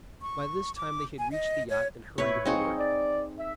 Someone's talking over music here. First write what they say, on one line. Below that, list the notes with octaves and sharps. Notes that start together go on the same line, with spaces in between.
By this time they had reached the yacht and hurried aboard.
C#6
D6
G#5
D#5
C#5
A2 A3 E4 B4 C#5
E3 C4 D#4 G#4 F5 C#6
D5
E5